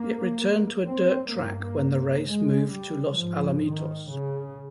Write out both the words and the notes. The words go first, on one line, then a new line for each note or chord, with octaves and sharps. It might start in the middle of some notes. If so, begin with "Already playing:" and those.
It returned to a dirt track when the race moved to Los Alamitos.
Already playing: A#3
C4
G2 A#3
G#3
G3
G#2 F3
D#3
C#3